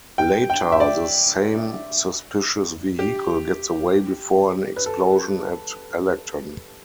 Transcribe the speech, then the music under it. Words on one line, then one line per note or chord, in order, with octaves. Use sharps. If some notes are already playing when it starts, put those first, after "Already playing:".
Later, the same suspicious vehicle gets away before an explosion at Elekton.
G5
G5
E5
D5
G4
B4
A4